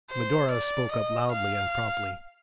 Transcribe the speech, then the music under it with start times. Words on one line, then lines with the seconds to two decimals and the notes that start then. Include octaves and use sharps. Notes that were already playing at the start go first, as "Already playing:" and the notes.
Medora spoke up loudly and promptly.
0.10 C5
0.51 D5
0.92 D#5
1.32 F5